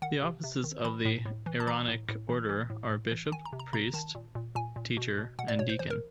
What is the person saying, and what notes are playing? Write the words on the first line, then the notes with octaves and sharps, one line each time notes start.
The offices of the Aaronic order are bishop, priest, teacher, and deacon.
D#3 F#5
C3
C3
D#3
E3 B5
A2
A2
E3
A5
E3 A#5
A2
A2
E3
E3
A2
A2
E3
D#3 G#5
A#5
C3
A#5
C3 A#5
D#3 A5
A#2
A#2
A#2 G#5
A#2
B2
B2
B2 F#5
D5
B2 C#5
C5
E3 C5
A#4